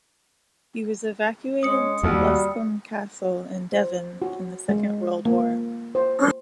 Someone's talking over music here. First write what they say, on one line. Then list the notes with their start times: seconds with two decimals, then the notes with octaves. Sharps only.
He was evacuated to Luscombe Castle in Devon in the Second World War.
1.63 G#3 C#4 D#6 C#7
2.03 D#2 G3 F#4
3.72 C5
4.22 F#4
4.69 G#3
5.26 A#3
5.95 C5